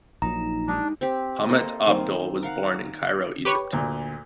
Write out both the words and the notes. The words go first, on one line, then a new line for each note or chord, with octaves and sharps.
Ahmet Abdol was born in Cairo, Egypt.
A#1 A#2 F#3 D#4 A#5
G#3 D4 D#4 G4
C4 G4
A#3 A4 C5 D#5
D#3 A#3 C4
A#4 F5 F#5
G4 B4 C#5
D2 A#2